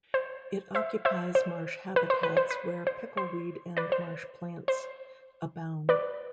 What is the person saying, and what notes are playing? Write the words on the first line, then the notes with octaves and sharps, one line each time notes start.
It occupies marsh habitats where pickleweed and marsh plants abound.
C5
C5 E5
C5 E5
C5
B4
C5
B4
C5
B4
C5
C5
B4 D5
C5
C5
B4 D5